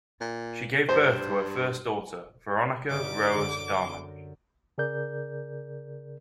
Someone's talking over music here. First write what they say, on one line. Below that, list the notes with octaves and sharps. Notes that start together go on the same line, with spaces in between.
She gave birth to her first Daughter Veronica Rose Dahmen.
A#2
G2 C5
G1 D6 G6 B6
F#2 D3
C#3 G#4 A#4 D5 G6